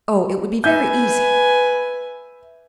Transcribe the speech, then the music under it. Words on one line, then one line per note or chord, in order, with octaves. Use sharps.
"Oh, it would be very easy!"
B4 E5 G#5 G6